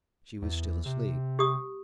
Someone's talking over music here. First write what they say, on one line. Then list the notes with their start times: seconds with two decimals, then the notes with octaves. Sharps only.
She was still asleep.
0.42 E2
0.86 C3
1.39 G4 D#6